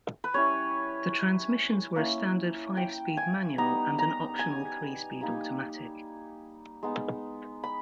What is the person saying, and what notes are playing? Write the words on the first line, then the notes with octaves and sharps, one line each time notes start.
The transmissions were a standard five-speed manual and an optional three-speed automatic.
B4
G3 C#4 E4 C#5
A#3 C#4 E4
G5
G#5
G3 B3 D#4 A#5
A#5
G#5
G3 A#3 D#4
G#3 B3 D#4
B5